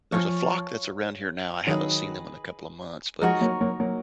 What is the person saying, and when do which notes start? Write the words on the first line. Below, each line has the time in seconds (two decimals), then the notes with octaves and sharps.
there's a flock that's around here now, I haven't seen them in a couple of months, but
0.12 F3 C#5 F5 G#5 C#6
1.67 D#3 F#3 G#4 B4 D#5
3.22 F3 G#3 D#4 F#4 A#4 C#5
3.41 F#3 A#3
3.61 F#3 A#3
3.80 F#3 A#3